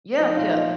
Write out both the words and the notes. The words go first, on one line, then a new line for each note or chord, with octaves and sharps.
Yeah, yeah,
F3 D#4 D#5
A#2 F4 F5
F3